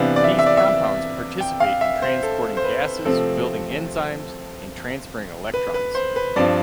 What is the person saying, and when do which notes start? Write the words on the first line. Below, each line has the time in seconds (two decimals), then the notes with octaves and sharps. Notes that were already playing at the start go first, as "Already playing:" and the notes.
These compounds participate in transporting gases, building enzymes, and transferring electrons.
Already playing: C3 E3 B3 D4 F5
0.16 D5
0.24 E5
0.31 D5
0.39 E5
0.46 D5
0.57 E5
1.40 G5
1.60 F5
1.81 E5
2.02 C5
2.23 A4
2.57 C5
2.64 B4
3.05 C3 F3 A3 C4 A4
5.54 B4
5.74 B4
5.95 C5
6.16 B4
6.36 G2 F3 C4 D5